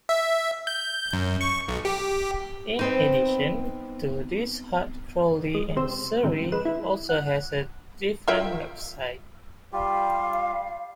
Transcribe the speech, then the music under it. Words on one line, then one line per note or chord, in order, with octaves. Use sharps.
In addition, to this Heart Crawley and Surrey also has a different website.
E5
G6
F#2
C#6
B1
G4
B3 C4 D#4
G#3
C3 C5 E6
G#2 C3 D#3
G#3 B4 E7
E4
F#5
F4 E5 G5
G3 F4 G4 F5